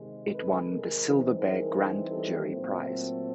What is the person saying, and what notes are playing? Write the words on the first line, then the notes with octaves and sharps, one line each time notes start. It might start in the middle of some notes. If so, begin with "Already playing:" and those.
It won the Silver Bear Grand Jury Prize.
Already playing: C3 D#3 G#3
A4 B4
G#4 A#4
E3 G3 C4 D#4
G#4 A#4
G4 A4
A#2 F#3 A3 C4